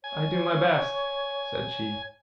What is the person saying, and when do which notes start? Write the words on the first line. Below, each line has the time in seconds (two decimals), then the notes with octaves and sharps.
"I do my best," said she.
0.04 C#5 G#5